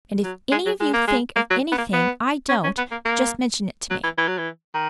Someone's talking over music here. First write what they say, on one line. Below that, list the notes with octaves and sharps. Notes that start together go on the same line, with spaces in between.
And if any of you think of anything I don't, just mention it to me.
F#3
G#3
F#3
G#3
A#3
G#3
A#3
F#3
B3
A#3
B3
C#4
C#4
B3
A#3
A#3
F#3
E3
E3
F#3
E3
D#3